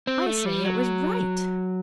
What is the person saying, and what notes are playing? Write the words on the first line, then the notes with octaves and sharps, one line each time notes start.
'I say it was right.
C4
A3
G3
F#3